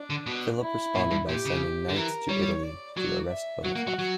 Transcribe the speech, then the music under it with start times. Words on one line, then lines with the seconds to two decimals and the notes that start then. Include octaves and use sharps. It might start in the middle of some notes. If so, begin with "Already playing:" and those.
Philip responded by sending knights to Italy to arrest Boniface.
Already playing: D4
0.10 D3
0.26 B2
0.61 E4
0.95 A#2
1.11 G2
1.28 A#2 G4
1.46 C#3
1.89 D3
1.96 E3 A#4
2.29 G3 C#5
2.63 D5
2.97 F#3 D5
3.30 E5
3.65 F#3 F#5
3.76 A#3
3.87 F#3
3.99 F#3